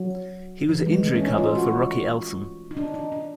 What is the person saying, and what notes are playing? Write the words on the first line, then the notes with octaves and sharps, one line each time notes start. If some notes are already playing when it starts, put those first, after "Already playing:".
He was injury cover for Rocky Elsom.
Already playing: F#3
E3
G#3
A3
C#4
D#4
F4
F#4
D#4
D4
D#4
D4